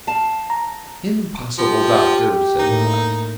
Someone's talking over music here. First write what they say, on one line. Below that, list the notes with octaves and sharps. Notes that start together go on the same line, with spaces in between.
"Impossible, doctor," said the wife.
F5 A5
A#5
F3 G4
A2 A#3 D#4